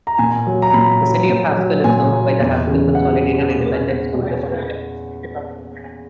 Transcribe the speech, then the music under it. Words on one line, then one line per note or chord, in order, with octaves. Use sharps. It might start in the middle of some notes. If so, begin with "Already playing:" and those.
The City of Haskell is served by the Haskell Consolidated Independent School District.
A#5
A#2 G#5
F#3
A#5
A#2 B5
F#3
A#2
F#3
A#2 G#5
F#3
E2
C#3 E3
F#5